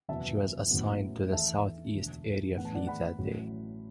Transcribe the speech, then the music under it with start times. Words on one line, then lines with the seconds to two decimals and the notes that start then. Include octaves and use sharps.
She was assigned to the Southeast Area Fleet that day.
0.09 F#1 E2 B2 B3 E5 A5
0.70 A1 A2 F#3 B3
1.32 E2 E3 A3 E5 A5
1.95 E1 D2 D3
2.57 A2 E3 B3 F#5
2.65 A5
2.74 D5 F#5
2.87 F#5 B5
3.18 A1 A2 F#3